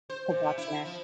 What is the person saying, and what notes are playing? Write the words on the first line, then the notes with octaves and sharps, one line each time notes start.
to watch next.
C5
A#2
C3
E4
F3